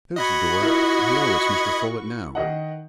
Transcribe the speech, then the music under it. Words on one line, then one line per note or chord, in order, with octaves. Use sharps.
There's the door-- Hullo, it's Mr. Folett now.
F#4 D#5 B5 C#6 G#6
E4 F4 A#4
D#3 D#5 F#5